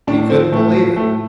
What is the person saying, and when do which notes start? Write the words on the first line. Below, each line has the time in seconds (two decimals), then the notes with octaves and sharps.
He couldn't believe it.
0.07 A2 D4
0.29 F3 C4
0.52 A2 A3
0.74 F3
0.96 A2 A3